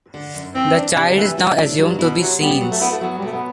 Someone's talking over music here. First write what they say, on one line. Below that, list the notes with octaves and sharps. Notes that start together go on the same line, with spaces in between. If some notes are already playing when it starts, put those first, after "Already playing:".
The child is now assumed to be Sean's.
D3
F#2
E3 C4
D4
C3
D3
E3 A3
E3 F#3
A2 D4
G2 F#3
B2 E4
C3 F#3
G3 B3
F#3
A3
B3 E4
A3
F#3 B3
G3
B2 A3
B3